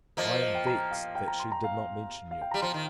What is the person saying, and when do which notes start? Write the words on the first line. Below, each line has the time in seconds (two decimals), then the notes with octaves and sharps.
I am vexed, that she did not mention you!
0.17 F3 A#3 D#5
0.30 C5
0.42 D#5
0.55 G5
0.67 A#5
0.91 F5
1.15 G5
1.28 A#5
1.40 C6
1.52 A#5
1.64 F5
2.31 F5
2.41 G5
2.51 G3 A#5
2.62 F3 C6
2.74 D#3